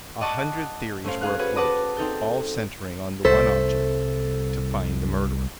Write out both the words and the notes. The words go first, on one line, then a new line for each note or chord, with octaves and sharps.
A hundred theories were afloat, all centering on the one object--to find the murderer.
D5 D#5 F#5 A5 C#6
A3 C#4 C5 F5
G#4 F5 F#6
F#4 G#4 B4 C#5
B4 F#5 A5 D6 D#6 A#6
C4 D#4 A4 G6
C2 A3 A4 C5